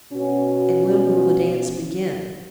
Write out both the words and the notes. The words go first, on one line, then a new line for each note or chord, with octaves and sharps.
"And when will the dance begin?"
B2 C#4 F#4